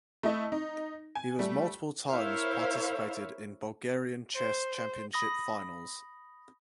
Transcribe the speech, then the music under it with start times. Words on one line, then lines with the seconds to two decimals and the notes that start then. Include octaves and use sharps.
He was multiple times participated in Bulgarian Chess Championship finals.
0.23 A3 E4 D#5
0.52 D#4
1.15 G#5
1.39 G3 A3
2.11 E4 A#4 C5 C#5 E5 F5
4.35 C5
4.76 C5
5.13 B5 D#6 A#6